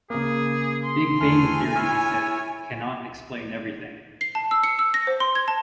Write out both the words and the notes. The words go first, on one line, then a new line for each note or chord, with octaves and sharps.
"Big Bang Theory", he said, "cannot explain everything".
C#3 A#3 G#4
C6
E2 A3 G#5 F6
E4 C#5 B5 F6
C7
A5
E6
C#7
E6
A#6
C5
C6
G#6
A5